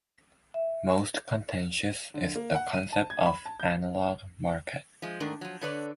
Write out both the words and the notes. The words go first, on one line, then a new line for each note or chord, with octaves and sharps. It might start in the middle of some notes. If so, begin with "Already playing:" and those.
Most contentious is the concept of "analogue market".
E5
D3
A#3
F#5
D#7
A5
G#6
B5
A5
G6
F3 G#3
G#2 D#3 A3 D4 A#4
F3 F#3
D3 A4 B4 C#5 D5